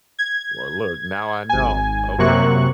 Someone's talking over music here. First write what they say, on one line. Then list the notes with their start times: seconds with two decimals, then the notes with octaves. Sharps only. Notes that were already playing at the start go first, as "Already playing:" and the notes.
Well, look, now I know. Okay.
0.19 G#6
1.49 G#1 G#5
2.18 F#2 C3 F#3 A#3 C#6 F#6